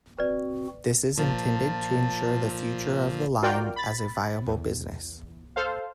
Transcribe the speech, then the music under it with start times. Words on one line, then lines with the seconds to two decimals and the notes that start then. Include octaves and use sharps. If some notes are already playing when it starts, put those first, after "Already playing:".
This is intended to ensure the future of the line as a viable business.
0.19 C4 F#4 B4 D5
1.17 A#2 F3 A5
3.42 F4 F#4 A#4 D5 G5 F6
3.76 B5 A6
4.47 E2
5.56 A4 C5 F5